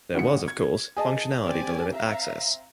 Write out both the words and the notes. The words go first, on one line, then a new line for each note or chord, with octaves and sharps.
There was, of course, functionality to limit access.
G#1 D3 C#7
G#6
G#4 D#5 A5
C4 G4 D5 G#5
E5 F5 A#5